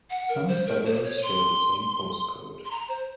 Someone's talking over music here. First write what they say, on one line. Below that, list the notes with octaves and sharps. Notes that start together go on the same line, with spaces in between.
Some suburbs share the same postcode.
F#5
A#4
C5
A#4
C5
C#5
C6
C6
A#5
C5